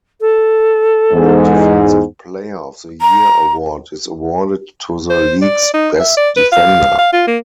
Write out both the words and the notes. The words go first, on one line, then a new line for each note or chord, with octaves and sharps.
The Defensive Player of the Year Award is awarded to the league's best defender.
A4
E2 G#2
A#5
C5
D5
D#4
E5
D5
B4
F5
F5
F4
A#3